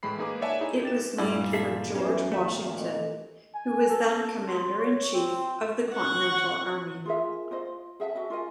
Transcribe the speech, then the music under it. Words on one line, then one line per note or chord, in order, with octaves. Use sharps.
It was named for George Washington, who was then commander-in-chief of the Continental Army.
A2 E3 G#3 B5 C7
A#3 D#4 G#4 B4 D6
C#5 D5 E5 F#5 G#5 A5
D#4 E4 G#4
G4 A6 E7
G2 A#2 G3 E4
G#4 A4 E5
E2 E3 F#3 C#4 C5
G#1 A#2 A3 A#3 E5
A4 D#5
G#5
A4
C6
C#5
C4
F#5 C#6
F4 G#4 A#4 E5
F4 C5 D#5
G#4 E5 F5 A5
F#4 D#5 E5
F4 A#4 D#5 G#5